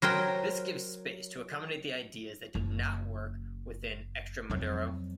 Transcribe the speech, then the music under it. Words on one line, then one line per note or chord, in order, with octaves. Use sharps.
This gives space to accommodate the ideas that did not work within Extremoduro.
F#3 A#4 C5 G5
F#1
F2 F#3